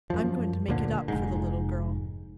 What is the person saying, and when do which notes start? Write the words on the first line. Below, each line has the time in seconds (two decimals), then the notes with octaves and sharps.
I'm going to make it up for the little girl.
0.10 F#2 F3
0.68 D2 A#2 D3
1.08 F1 G#2